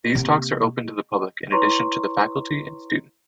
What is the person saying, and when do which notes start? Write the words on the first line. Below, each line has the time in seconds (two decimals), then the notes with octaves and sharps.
These talks are open to the public in addition to the faculty and students.
0.15 C3 A#3
1.52 E4 B4 C#5 A#5 C6 C#6